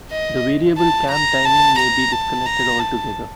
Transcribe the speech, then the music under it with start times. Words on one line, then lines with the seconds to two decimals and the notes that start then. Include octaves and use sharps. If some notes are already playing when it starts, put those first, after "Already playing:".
The variable cam timing may be disconnected altogether.
0.11 D#5
0.78 A5
1.12 A#5
1.45 A5
1.79 A#5
2.12 A5
2.46 A#5
2.80 A5